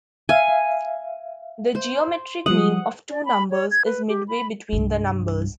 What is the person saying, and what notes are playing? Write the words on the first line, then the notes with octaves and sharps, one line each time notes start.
The geometric mean of two numbers is midway between the numbers.
E5 F5 G#5
C5
F3 G3 F#5 D#6
D5
B5
C#5
G#6
B4
G4
B5
C2 G2